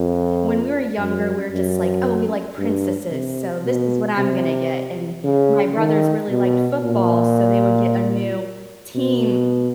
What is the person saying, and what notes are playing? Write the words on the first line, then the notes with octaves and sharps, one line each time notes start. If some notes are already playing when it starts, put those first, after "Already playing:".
When we were younger, we're just like, "Oh, we like princesses, so this is what I'm gonna get," and my brothers really liked football, so they would get a new team
Already playing: F2
F#2
F#2
G2
C3
B2
C3
C#3
D#3
B2
A#2
B2